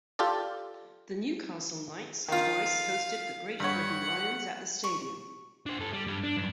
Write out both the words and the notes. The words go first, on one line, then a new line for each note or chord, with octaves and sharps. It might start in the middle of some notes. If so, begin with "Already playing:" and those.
The Newcastle Knights twice hosted the Great Britain Lions at the stadium.
F4 G4 A4 D5
D#3 F4 F5
G2 C#5 F#5
C#6
D4 C5
G2 A4
G3
G2 G3
D4
G2 F#3